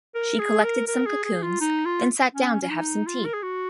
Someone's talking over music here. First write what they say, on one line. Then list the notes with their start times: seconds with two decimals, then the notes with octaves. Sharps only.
She collected some cocoons, then sat down to have some tea.
0.15 A#4
0.40 G#4
0.64 A#4
0.88 A#4
1.06 G#4
1.24 G#4
1.43 F4
1.61 D#4
1.85 F4
2.34 C#4
2.62 C#4
2.70 D#4
3.06 F4
3.25 A#4
3.34 G#4
3.43 F#4